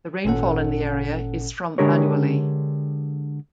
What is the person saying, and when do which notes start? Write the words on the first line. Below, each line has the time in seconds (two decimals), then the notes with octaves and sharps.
The rainfall in the area is from annually.
0.25 G#1 A#2 C#4 A4 F#5
1.78 D3 G#3 D4 G4 A#4 C#5